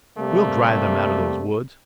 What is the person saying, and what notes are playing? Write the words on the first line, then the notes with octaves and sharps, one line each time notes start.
"We'll drive them out of those woods."
C3 G3 A3 A#3